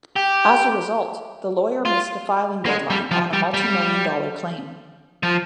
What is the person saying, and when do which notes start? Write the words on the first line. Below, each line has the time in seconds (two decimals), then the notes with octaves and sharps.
As a result, the lawyer missed a filing deadline on a multimillion-dollar claim.
0.16 G4
1.85 F4
2.66 A#3
2.69 G#3
2.90 G3
3.11 F3
3.33 G3
3.54 G3
5.23 F3